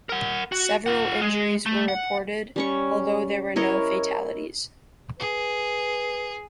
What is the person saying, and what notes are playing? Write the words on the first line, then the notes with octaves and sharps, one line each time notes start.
Several injuries were reported, although there were no fatalities.
A#4 F#5
F#4
F4 F#5
G#3
A3
F#5
G3 C#4 C#6
E4 A#4 C#5 D#5
G#4 B4